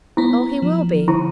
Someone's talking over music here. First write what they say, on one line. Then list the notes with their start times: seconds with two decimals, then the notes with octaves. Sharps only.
'Oh, he will be.
0.17 B3 E4
0.62 F3
1.08 D3 E4